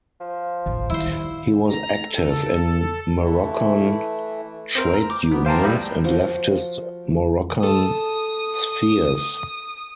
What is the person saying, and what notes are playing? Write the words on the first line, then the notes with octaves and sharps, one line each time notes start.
He was active in Moroccan trade unions and leftist Moroccan spheres.
F3
E1 A1
D#3 G3 E4 C5
A#5
A4
E3 A3 E4
C4 A#4
A#5
D6
B3
C5 F5 G5 A5 A#5
B1 A2 G3
F3 F#4
A4 A5 D#6